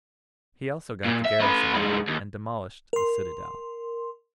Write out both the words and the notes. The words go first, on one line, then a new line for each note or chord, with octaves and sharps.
He also got the garrison under, and demolished the citadel.
A#2
E5
A3 B4
G2 G#3
D#2
A#4 C6